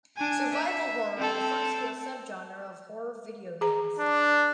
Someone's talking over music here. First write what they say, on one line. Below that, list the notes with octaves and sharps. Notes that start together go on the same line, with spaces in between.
Survival horror refers to a subgenre of horror video games.
D4 G#5
E5
C4 A4
G#4 A#5
D4